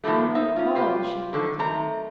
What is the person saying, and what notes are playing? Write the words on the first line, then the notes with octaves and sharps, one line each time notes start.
"You know all!" she faltered.
A2 D#3 F3 G3 A3
D#4 C5 E5
C#4 F4
C3 F4 G4 B4 C5
D3 D#3 A4
D#3 A3 C4 A#5